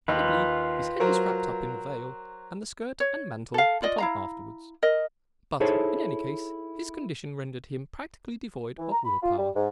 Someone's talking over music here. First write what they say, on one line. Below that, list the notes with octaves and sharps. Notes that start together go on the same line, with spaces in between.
Probably his head was wrapped up in the veil, and the skirt and mantle put on afterwards; but, in any case, his condition rendered him practically devoid of will power.
D#2 F4 B4
F#3 A#4 C5
C#5
A4 F5
F4 D5 D#5
E4 F5 A#5
A#4 D#5
D#4 E4 G#4 A4 C5 C#5
E3
A#5
B5
F4
G3
G#2